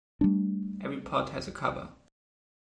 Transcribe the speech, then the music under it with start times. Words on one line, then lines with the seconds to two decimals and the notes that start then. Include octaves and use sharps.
Every pot has a cover.
0.21 G3 A3 D4